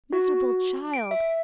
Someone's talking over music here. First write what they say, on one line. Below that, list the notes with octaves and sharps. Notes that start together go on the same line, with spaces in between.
Miserable child!
F#4
D7
E5